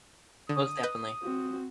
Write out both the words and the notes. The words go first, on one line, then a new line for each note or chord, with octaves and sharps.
most definitely.
D3 D#6
B4 D#5 G6
C4 F#4